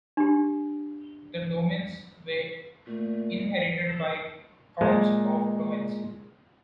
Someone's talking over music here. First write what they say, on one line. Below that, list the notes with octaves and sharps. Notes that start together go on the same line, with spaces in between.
The domains were inherited by Counts of Provence.
D4 G4
A#2 A3
A#2 G#3